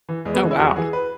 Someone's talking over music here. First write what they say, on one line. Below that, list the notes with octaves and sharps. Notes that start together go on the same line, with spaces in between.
Oh, wow.
E3
E2 G#3
B3
E3 G#3
E4
E2 F#4
E3 G#4
B4